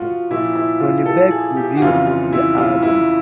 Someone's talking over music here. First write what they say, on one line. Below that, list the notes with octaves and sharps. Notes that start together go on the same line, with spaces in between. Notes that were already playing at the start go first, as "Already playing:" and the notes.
Tony Berg produced the album.
Already playing: F3 F4 F#4
A#2 F3 E4
E4
F4
A4
G#4
G4
F#4
F2 C#3 E3 F4
F4
E4
F4
E4